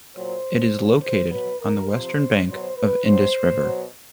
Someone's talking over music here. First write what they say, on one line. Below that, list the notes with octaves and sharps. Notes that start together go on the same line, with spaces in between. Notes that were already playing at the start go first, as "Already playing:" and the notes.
It is located on the western bank of Indus River.
A#2 F#3 C5
A#2 F#3
C5
B2 F#3 B4
A#4
C3 F3 C5
B2 F#3 C5
B4
B2 F#3 C5
B2 F#3